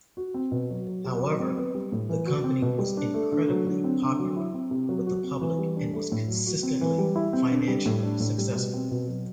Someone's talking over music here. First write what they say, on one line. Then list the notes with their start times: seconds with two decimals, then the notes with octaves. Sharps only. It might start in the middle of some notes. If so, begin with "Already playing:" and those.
However, the company was incredibly popular with the public and was consistently financially successful.
0.17 F#4
0.34 C4
0.52 B2
0.70 F#3
0.87 F#3
1.04 G4
1.22 F#3
1.40 C4
1.57 B3
1.75 G3
1.92 A2
2.09 E3
2.26 F#4
2.44 C4
2.62 B2
2.79 G3
2.97 D4
3.14 A3
3.32 D3
3.49 F#3
3.67 D3
3.84 C4
4.02 D3
4.19 F#3
4.36 E4
4.54 C4
4.71 C3
4.89 F#3
5.07 F#4
5.23 C4
5.41 E3
5.59 G3
5.77 D4
5.93 A3
6.12 A2
6.28 F#3
6.46 F#4
6.63 C4
6.81 E3
6.99 G3
7.16 E4
7.33 C4
7.51 D3
7.68 G3
7.86 A2
8.03 D4
8.20 A2
8.38 G3
8.56 B2
8.74 C4
8.91 B2
9.08 F#3